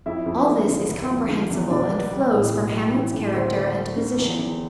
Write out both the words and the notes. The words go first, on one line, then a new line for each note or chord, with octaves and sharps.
All this is comprehensible and flows from Hamlet's character and position.
F2 E4 E5
F2
A3
D3
F1
F3
D3
E2
B1 D4 D5
B3
G3
A2
B1
G3
E3
A2
D2 C4 C5
D2
A3
D3
E2
E2